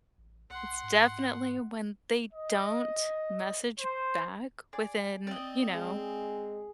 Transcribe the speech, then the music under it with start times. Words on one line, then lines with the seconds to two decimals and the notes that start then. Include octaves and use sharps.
It's definitely when they don't message back within, you know.
0.18 A1
0.50 C2 F#5 C6
0.83 G#2
2.32 D#5
3.80 C5
4.73 G#4 D5
5.27 C4 D5 D#5
5.73 G#3 G#4